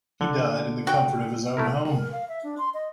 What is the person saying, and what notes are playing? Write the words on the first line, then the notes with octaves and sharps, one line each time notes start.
He died in the comfort of his own home.
D3
F#4 G5
A3 E4 A#4
A#4
F5
E5
D4
C6
D#5